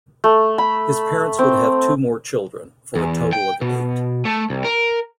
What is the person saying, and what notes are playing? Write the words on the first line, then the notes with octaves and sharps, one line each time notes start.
His parents would have two more children, for a total of eight.
A3
B5
C4
E2
G5
B2
A3
C2
A#4